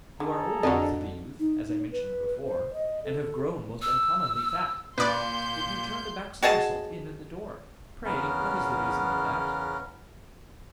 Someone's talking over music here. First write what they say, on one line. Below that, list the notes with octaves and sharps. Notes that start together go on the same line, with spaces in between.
'You are old,' said the youth, 'as I mentioned before, And have grown most uncommonly fat; Yet you turned a back-somersault in at the door-- Pray, what is the reason of that?'
D3 G#4 A4 A#5
F2 D3 F#4 A#4 D#5
D#4
D#4
B4
C5
D#5
A4
E6
A#2 B4 D5 C6 G6
F#4 G#4 D#5 A5
E2 C#3 B3 C#4 A#4